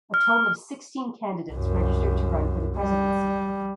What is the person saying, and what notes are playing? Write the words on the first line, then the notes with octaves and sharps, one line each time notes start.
A total of sixteen candidates registered to run for the presidency.
F6
C2 F#2
G3